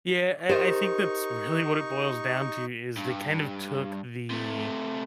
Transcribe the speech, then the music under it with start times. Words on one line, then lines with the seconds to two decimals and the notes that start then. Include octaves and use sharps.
Yeah. I I think that's really what it boils down to is they kind of took the
0.49 D#4 G4 A#4 C5 C#6
2.97 G2
4.31 C3 A3